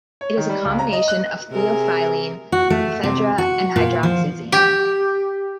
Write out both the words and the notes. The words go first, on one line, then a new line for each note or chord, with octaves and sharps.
It is a combination of theophylline, ephedra, and hydroxyzine.
C#5
D#3
G3
C#2
A#5
D#5
F#6
C3 G#4 A#4
F#4
A3
C3
F#4
A#2
F3
G4